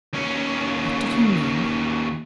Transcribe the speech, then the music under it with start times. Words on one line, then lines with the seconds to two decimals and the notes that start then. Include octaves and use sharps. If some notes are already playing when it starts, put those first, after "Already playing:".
What did he mean?
0.13 D#2 C#4